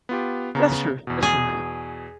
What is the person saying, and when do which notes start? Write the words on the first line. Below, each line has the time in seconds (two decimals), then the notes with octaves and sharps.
That's true that's true.
0.09 B3 F4 G4
0.55 C#3 B3 A#5
1.07 E2 B2
1.23 G#4